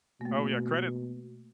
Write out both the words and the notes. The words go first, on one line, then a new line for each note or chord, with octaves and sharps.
Oh, yeah credit
B2 A3 A#3